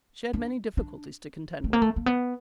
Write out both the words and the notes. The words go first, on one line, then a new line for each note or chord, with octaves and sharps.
She had many difficulties to contend with.
D4
D4
A3
A#3
A3
A#3
B3